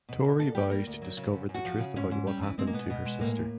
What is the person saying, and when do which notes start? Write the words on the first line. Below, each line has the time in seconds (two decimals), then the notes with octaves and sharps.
Tory vows to discover the truth about what happened to her sister.
0.09 B2
0.24 B2
0.40 A#3 A4
0.55 G3 G4
0.71 A#3 A#4
0.87 D2
1.02 F#3
1.17 C#3
1.33 F#2
1.49 F#2
1.54 F#4
1.65 F3
1.79 C#3
1.96 G#2 C#4
2.11 G#2
2.27 G3
2.42 E3
2.58 G#3 C4
2.67 A#3
2.73 B2 B3
2.90 B2
3.05 G#3
3.20 A2 A#3
3.36 A2